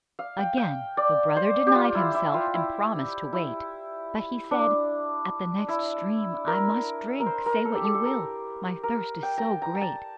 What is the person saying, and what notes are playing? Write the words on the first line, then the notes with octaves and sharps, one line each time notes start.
Again the brother denied himself and promised to wait; but he said, "At the next stream I must drink, say what you will, my thirst is so great."
F5
G5
G5
D5
C5
G4
F4
E4
E4
F4
E4
E4
D4
E4
A#4
A#4
C5
A#4
A4
G4
A4
A4
A#4
A#4
G5
A5 A#5
A#5
A#5
A5